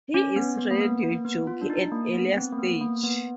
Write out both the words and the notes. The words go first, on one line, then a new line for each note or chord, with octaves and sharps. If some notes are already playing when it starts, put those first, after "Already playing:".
He is Radio Jockey at Earlier Stage.
C#4
B3
B3
A#3
B3
A#3
B3
F4
D4
D#4
A#3
B3
C4
A#3
B3
A#3
B3